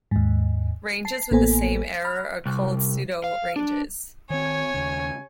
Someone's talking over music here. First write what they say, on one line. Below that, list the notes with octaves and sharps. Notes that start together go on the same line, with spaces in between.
Ranges with the same error are called pseudoranges.
D#2 G#2
A5 C7
A1 A#3 B3 A4 C5 G#5
B5 F6
C2
F5
D4
D#3 C4 C#5 G#5
D#2 C#3